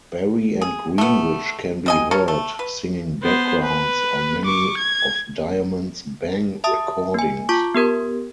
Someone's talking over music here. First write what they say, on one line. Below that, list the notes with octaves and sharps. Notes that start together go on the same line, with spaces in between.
Barry and Greenwich can be heard singing backgrounds on many of Diamond's Bang recordings.
G#4
A3 B3
G3 D#5 G#5
C#4 A4 A#4 C#5
A3
B4
B3 C5
B4
C#6 D6
G#6
E5 A5 D#6
A#3 G#5
F4 A5 C#6 D6
B3 G4 A#4 G#6